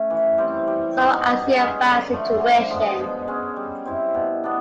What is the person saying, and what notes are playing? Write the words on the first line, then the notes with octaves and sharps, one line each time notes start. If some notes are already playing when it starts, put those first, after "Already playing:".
So I see a bad situation.
Already playing: A3 C#4
E3
G3 C4 E4
G3
B3 D#4
B2
G#3 C#4
D3
F3 A3
D3
F3 G#3 B3
B2
G#3 C#4
G3
C4 E4
B2
B3 D4